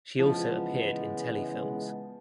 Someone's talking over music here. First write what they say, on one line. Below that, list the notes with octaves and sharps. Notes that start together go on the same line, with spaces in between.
She also appeared in telefilms.
C#3 E3 F3 G#3 B3